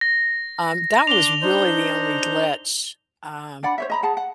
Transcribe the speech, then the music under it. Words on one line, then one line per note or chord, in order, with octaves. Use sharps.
um, that was really the only glitch, um
A#6
D4 C6 D6 F7 G7
D4 D#4 C5
D4 D5 F#5 B5
C5 C#5 E5
D#5 A#5 B5
G#4 F#5 A5
F#5